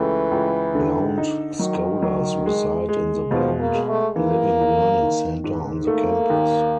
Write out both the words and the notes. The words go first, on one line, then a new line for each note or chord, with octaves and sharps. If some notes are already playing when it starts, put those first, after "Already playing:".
Blount Scholars reside in the Blount Living Learning Center on the campus.
Already playing: C#2 E3 A3
C#2
D3
D#4
D#3 F#3
F#3
G#3
G#3
B2 F3
A#3
G#3
A3
E3 A#3
E2
D#3
G#2
A3 A#3
D#2